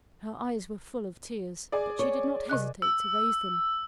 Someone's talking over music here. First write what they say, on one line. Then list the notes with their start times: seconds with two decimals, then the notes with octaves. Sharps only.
Her eyes were full of tears, but she did not hesitate to raise them.
1.72 G#4 D5
1.99 C#5
2.49 C3 D#5 F#6
2.82 E6